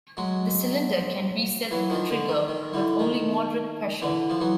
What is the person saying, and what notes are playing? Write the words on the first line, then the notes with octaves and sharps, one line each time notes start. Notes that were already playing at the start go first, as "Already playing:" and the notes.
The cylinder can reset the trigger with only moderate pressure.
F#3 G#3
E3 F#3
D#3 F3
D3
D#3
D#3
D3 E3
D#3
D3 E3
F3
E3 F#3